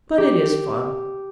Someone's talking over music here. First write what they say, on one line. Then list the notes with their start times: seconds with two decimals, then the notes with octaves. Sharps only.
But it is fun.
0.18 G4